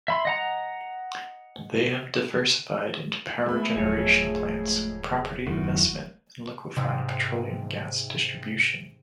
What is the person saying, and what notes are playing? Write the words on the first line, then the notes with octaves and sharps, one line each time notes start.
They have diversified into power generation plants, property investment, and liquefied petroleum gas distribution.
E5 B5 C6
D#5 F#5 A#5
G#3 A3 B3 B5
D#1 F2 G#2 F#3 G#3 G#4 C#5
F#2 D#3 A3 E4 F#4
G#2 C3